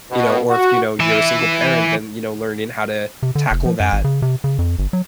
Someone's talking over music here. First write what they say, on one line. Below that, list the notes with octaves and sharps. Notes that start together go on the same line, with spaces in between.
you know, or if, you know, you're a single parent, then, you know, learning how to tackle that
B2
F#4
E3 E5
C3
D3
F1
F3
F#2
G#1
C#3
C3
C#3
F2
G1
F#3